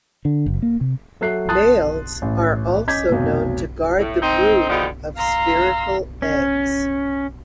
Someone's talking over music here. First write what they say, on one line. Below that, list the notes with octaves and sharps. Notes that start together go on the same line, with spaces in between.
Males are also known to guard the brood of spherical eggs.
D3
F#1
A#3
C3
F#3 A4 E5 F#6 C7
A5 C6 D#6 F#6 A6
A1
C#4 D#5 D6 G6 G#6 B6
F1 B1
A2
C4 D#4
B2 D3 F3 D#4 G4
F5 A#5 C6 E6
C#4